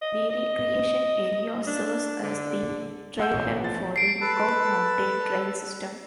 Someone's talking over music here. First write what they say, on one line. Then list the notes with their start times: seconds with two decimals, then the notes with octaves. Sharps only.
The recreation area serves as the trailhead for the Lookout Mountain Trail system.
0.02 D#5
0.30 D#5
1.67 D4
2.24 D3
3.20 F#5 E6 G6
3.33 A1 B2
3.62 F3 A6
3.96 C7 D7
4.21 A4 B4 A5